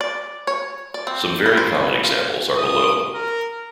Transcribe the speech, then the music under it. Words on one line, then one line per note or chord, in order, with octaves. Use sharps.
Some very common examples are below.
D5
C#5
D5
C4
G3
C5
B3
F4
D#6
A#4